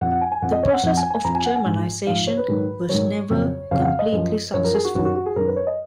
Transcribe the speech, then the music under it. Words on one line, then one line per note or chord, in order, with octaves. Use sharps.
The process of Germanisation was never completely successful.
F2 F3 F#5
F#5
G#5
G#5
F2 F3 F#5
D#5
C#5
F#5
F2 F3 F#5
G#5
G#5
F2 F3 A#5
G#5
F#5
G#5
G#2 F3
G#2 F3 F5
C#5
B4
G#2 D#3 F#3
G#2 D#3 F#3 C#5
F2 C#3 F#3
F2 C#3 F#3 F5
F#5
F5
D#5
F#2 F3
F#2 F3 C#5
A#4
G#4
F#4
F#2 D#3 F#3 F#4
F#4
F#4
G#4
F#2 D#3 F#3 A#4
B4
C#5
D#5